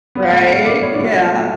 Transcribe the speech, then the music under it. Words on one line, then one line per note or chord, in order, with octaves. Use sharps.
Right, yeah.
B3
F#5
A2 F5
F#5
F#3
F5
A2 D5
B3 C#5
D5
A2
F#4
F#3 F4
A2